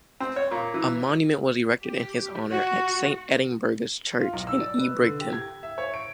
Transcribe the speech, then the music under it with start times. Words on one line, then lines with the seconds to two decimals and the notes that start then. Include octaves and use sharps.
A monument was erected in his honour at Saint Eadburgha's Church in Ebrington.
0.20 C4
0.36 C#5
0.51 A#2
0.74 E3
1.84 G4
2.50 F#4
4.20 F4
4.33 B1
4.47 E6
4.61 D5
4.78 B4
5.01 D3
5.20 G4
5.33 G#6
5.63 E5
5.78 C#5
5.94 D7